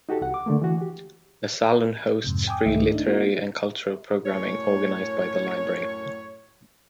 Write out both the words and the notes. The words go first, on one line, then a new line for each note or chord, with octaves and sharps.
The Salon hosts free literary and cultural programming organized by the library.
D#4 F#4 G4 A4
C2 F#5
D6
D3 A3 A#3
E3 F#4
G4
F2 G#2 C3
G5 G#5 D6 D#6
C2 G#2 D#3 A3 D#4 E5
D4 D#4
A#3 C#4 D#4 E4 F#4
F#2 A2 C#5